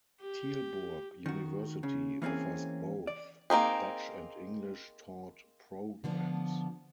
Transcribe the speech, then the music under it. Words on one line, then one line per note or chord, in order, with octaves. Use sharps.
Tilburg University offers both Dutch-and English-taught programs.
G4
D#3 F#4
C#3
E3 A#3 C4 C#4 G#4
D5
A#3 C4 D#4 G#4
D3 F3 B3